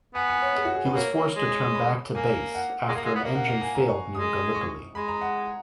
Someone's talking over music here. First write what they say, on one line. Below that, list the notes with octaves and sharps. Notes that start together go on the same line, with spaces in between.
He was forced to turn back to base after an engine failed near Gallipoli.
B3 G#5
G#5
C#5
G#4
F#4
G#4
B4
A#3 C#5
A#3
G#3
D#6
C#6
B5
A#3 G#5
F#5
G#3
A#3 F5
G#3
B3
A#3
F#5
F5
G#5
A#5
C#6
G#3 D#6
C#6
G#3 B5
A#5
F#5